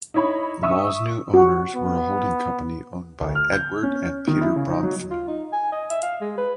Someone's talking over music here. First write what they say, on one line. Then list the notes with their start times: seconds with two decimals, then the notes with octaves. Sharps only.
The mall's new owners were a holding company owned by Edward and Peter Bronfman.
0.14 D#4 E4 C#5 B5
0.63 E5 C#6 D#6 E6
1.34 F#4
1.76 B3
3.20 D2
3.35 F6
3.53 G6
3.83 C#4
4.28 D#3
4.41 E4
4.56 C#3
4.69 D#4
4.83 F#3
5.11 F4
5.28 D#4
5.52 G#5
5.72 D#5
5.90 E5
6.03 F5
6.21 G#3
6.38 B4